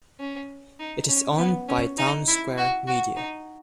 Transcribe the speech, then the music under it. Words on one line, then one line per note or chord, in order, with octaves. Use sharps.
It is owned by Townsquare Media.
C#4
D#4
C#4
B3
C#4
D#4
E4
F#4
F#4
D#4